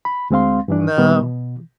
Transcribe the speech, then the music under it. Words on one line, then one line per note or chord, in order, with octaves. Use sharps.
No m
B5
D2 G#3 C4 F5 C6
G2 E3 D4
A#2 D#3 G3 B3
B2